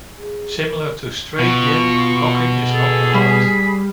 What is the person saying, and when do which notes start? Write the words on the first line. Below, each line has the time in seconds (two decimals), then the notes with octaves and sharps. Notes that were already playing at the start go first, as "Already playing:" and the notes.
Similar to Straight gin, knocking is not allowed.
0.20 G#4
0.59 A#4
1.39 B2 F4 C#6
2.73 G#4 A4
3.14 G3 B5